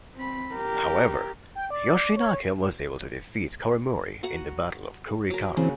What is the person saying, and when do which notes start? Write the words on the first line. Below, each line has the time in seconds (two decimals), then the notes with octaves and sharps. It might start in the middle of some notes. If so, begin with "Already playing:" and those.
However, Yoshinaka was able to defeat Koremori in the Battle of Kurikara.
0.16 C4 B5
0.54 G4 A#4
1.55 G5
1.70 D5
2.17 C#5
4.23 F#4 F#5 A#5
5.30 F#3 A#4
5.57 C#3 E3 A#3 C4